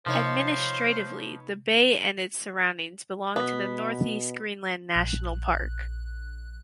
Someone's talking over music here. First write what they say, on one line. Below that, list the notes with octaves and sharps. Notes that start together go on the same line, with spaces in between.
Administratively the bay and its surroundings belong to the Northeast Greenland National Park.
C3 F3 B3 D#4 C5 C#5
B2 B3
A#1 F#6